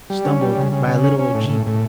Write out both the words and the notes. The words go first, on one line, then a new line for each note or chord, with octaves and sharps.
stumbled by a little jeep,
G3
C#4
G3
C#3
C#3
C#3
C#4
C#4
A2
A2
A2